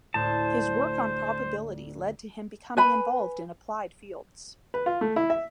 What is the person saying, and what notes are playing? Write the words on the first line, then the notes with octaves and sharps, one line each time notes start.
His work on probability led to him becoming involved in applied fields.
D2 A2 C5 A5
B4 G#5 B5
B4
F4
A3
E4
E5